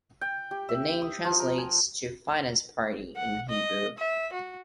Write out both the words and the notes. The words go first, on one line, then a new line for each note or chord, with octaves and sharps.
The name translates to "Finance Party" in Hebrew.
G5
G4
E5
D#6
F3
A#4
G#5
F#5
D#5
E5
F#4